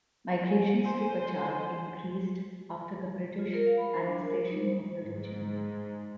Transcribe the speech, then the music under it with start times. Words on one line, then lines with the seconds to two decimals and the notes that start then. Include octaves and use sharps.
Migrations to Cachar increased after the British annexation of the region.
0.48 G#5
0.85 C5
3.39 F4
3.54 A#4
3.66 F5
3.78 B5
3.93 C5
4.05 D4
4.22 A#4
4.47 D#4
4.61 C5
5.01 G#2